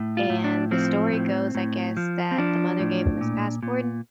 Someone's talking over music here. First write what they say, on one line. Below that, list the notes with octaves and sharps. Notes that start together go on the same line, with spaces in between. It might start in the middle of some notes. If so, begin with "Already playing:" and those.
And the story goes, I guess, that the mother gave him his passport and
Already playing: A2
F4
A2
D4
F3 C4
A2
A2
F3
C4
F3 D4
A2
A#2
A#2